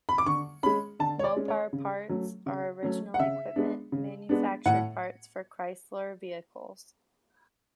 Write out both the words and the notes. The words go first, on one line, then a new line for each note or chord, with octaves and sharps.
Mopar parts are original equipment manufactured parts for Chrysler vehicles.
B5
D6
D3 C#6
G#3 C#4 B5
D3 A5
C#5
D5
G#3 C#4
C#5
C#3
F#3 A3 C#4
C#3
F#3 A3 C#4
F#5
C#3 E5
G#3 B3 D4
C#3
G#3 B3 D4
A2 F#5